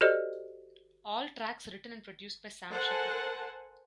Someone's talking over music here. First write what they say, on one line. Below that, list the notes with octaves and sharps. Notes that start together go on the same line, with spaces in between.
All tracks written and produced by Sam Shepherd.
F#4 G4 A4 C5 D5 D#5
A4 A#4 C5 F#5 G#5 A5